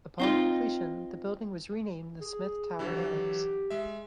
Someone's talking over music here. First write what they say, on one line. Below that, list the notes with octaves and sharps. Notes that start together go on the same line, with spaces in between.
Upon completion the building was renamed the Smith Tower Annex.
C4 D#4 F4
G#4
D3 E3 F#3 G4
G#3 E5